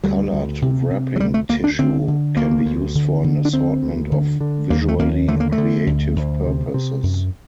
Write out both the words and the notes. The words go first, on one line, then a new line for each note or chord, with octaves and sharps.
Colored wrapping tissue can be used for an assortment of visually creative purposes.
D2 G3
D2
C3
C3
F#3
D2 G3
A3
D2 A#3
D4
D3 C4
D3
D2 A#3
D2
D3
D3
D4
D2 C4
D2
D3
D3
D#2 A#3
A3
D#2 A#3
D3 A3
A#3
A3
D3
D2
D2
C3
C3
F#2